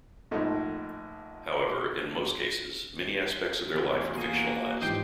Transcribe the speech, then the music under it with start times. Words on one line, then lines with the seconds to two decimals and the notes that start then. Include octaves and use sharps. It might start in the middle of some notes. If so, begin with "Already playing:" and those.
However, in most cases, many aspects of their life are fictionalized.
0.31 A#1 G#2 A3 D#4
3.74 E2 A3
4.18 A#3 F#4 G#4
4.82 G#2 E3 F3 D#4 G4 C5 G5